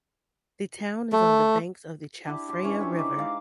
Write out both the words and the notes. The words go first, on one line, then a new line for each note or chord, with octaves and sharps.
The town is on the banks of the Chao Phraya River.
A3
D4 E4 G4
G4 C5
E3 C#4 D4
G4 C#5 E5
D#4 E4 C5 D5
G#3 D#4 F5 D6